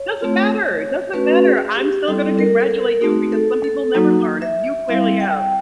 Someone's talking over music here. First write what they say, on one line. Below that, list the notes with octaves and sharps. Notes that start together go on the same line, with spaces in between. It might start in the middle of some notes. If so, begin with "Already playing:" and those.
Doesn't matter, it doesn't matter. I'm still gonna congratulate you because some people never learn and you clearly have.
Already playing: C#5
A3 C4 F4
A3 C#4 F#4 B4
G#4
G4
G3 C4 E4 A4
A#4
A4
A#4
A3 C4 D#4 F#4 G#4
A4
A4
F#3 A#3 D#4 F#4
E5
G3 C4 E4 F5
G5